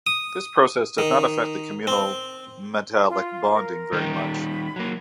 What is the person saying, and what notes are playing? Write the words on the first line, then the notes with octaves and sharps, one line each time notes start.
This process does not affect the communal metallic bonding very much.
D#6
D#3
C4
F4
A#4
D#3 G3 G4
B5
F#3 A#3